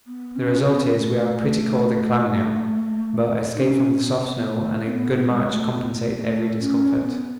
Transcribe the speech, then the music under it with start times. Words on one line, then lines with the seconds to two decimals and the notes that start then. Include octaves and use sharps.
The result is we are pretty cold and clammy now, but escape from the soft snow and a good march compensate every discomfort.
0.07 B3
0.36 C#4
0.65 C#4
0.73 B3
0.80 C#4
0.94 A3
1.38 A3
3.55 D#4
3.59 C#4
3.99 C#4
4.03 B3
4.42 A3
4.86 C#4
4.90 B3
5.29 G#3
5.51 A3
5.73 B3
5.95 A3
6.17 B3
6.21 A3
6.60 C#4
7.04 B3